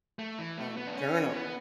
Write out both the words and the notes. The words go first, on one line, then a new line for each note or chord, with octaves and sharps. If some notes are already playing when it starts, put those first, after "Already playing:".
um, journal.
A3
E3
A3
B3
D4
C#4
B3